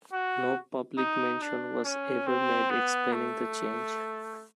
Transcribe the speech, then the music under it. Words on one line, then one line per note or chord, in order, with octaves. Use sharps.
No public mention was ever made explaining the change.
F#4
D#4
D4
C#4
C4
B3
A3